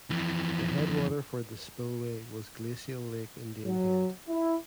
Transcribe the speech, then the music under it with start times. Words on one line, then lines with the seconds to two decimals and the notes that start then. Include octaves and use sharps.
The headwater for the spillway was glacial Lake Indian Head.
0.10 F2 E3
3.66 F#3
4.29 E4